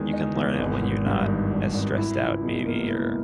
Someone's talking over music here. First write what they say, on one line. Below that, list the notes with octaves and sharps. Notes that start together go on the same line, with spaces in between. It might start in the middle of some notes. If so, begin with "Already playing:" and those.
you can learn it when you're not as stressed out maybe or
Already playing: E2 D#3 G#3 D#4
D#4
E2
G#1
G#1
G2
D#3
G#1
G#1
E4
C#2
B2
A#3
E4